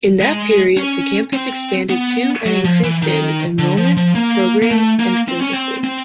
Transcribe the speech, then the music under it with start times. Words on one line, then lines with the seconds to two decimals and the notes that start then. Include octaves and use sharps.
In that period the campus expanded to and increased in enrollment, programs, and services.
0.21 G#3
0.77 C#4
1.33 C4
1.90 B3
2.46 F#3
2.65 F3
2.84 E3
3.02 D#3
3.59 D3
3.78 F3
3.97 F3
4.15 A#3
4.62 A#3
4.71 A3
4.99 A#3
5.28 C4
5.40 C#4
5.53 C4
5.84 C4